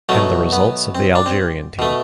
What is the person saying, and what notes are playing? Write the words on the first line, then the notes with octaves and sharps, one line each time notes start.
And the results of the Algerian team.
B2 F#3 A3
B3
C4
D4
C4
B2 A3